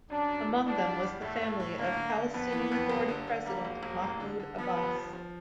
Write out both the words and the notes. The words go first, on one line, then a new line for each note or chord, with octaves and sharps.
Among them was the family of Palestinian Authority President Mahmoud Abbas.
F#2 D4
F#2
E3
E2 D4
G3
E2
A2 A3
A2
A2
D3 A#3
D3
D3
F2 B3
E3
F2
G1
D3
D3
G3 A#3
E1
E1
A1
D3
D3
F3 B3
G1
F3
F3